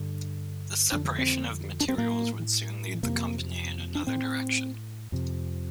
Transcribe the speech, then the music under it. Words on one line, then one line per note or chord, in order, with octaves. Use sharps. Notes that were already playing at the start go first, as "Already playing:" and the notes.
The separation of materials would soon lead the company in another direction.
Already playing: G2 D3
F2 D3 D4
C4
D4
C4
A2 A#3
F2 C3 A#3
D4
A2 C4
F2 C3